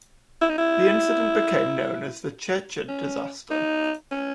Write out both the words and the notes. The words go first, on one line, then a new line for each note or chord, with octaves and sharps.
The incident became known as the Cheche Disaster.
E4
D#4
E4
C#4
D#4
C#4